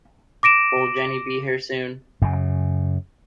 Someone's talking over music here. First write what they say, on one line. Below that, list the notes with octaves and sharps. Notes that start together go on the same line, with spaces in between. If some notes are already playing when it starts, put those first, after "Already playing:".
Will Jenny be here soon?
D6 A#6 D7 E7
F#2 C#3